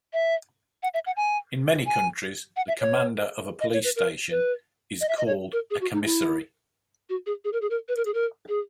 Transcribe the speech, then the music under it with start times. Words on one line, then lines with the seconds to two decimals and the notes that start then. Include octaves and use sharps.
In many countries, the commander of a police station is called a commissary.
0.13 E5
0.83 F#5
0.94 E5
1.06 F#5
1.17 G#5
1.86 G#5
2.56 F#5
2.68 E5
2.80 C#5
3.60 D#5
3.73 C#5
3.84 B4
3.96 A#4
4.31 B4
5.01 D#5
5.09 E5
5.18 D#5
5.27 C#5
5.53 A#4
5.70 G#4
5.81 F#4
5.93 D#4
6.05 E4
7.09 F#4
7.26 G#4
7.44 G#4
7.53 A#4
7.62 G#4
7.70 A#4
7.88 B4
7.97 A#4
8.06 G#4
8.14 A#4
8.48 G#4